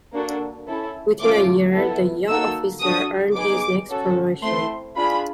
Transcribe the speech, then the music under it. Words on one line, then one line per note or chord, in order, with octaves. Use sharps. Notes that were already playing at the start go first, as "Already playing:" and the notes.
Within a year the young officer earned his next promotion.
A#3 D4 F#4 A4
C#4 E4 A4
A3 C#4 F4 D6
B3 E4 A4
A#3 D#4 F#4 A4 E6
D4 F#4 A4 D#6
B3 D#4 G#4 D6
C#4 F#4 A4
A3 C4 E4 C6
D4 F4 G#4 B5